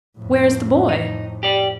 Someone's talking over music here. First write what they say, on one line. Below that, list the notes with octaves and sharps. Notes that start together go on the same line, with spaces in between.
"Where is the boy?"
F2 A2
D#4
G4 D5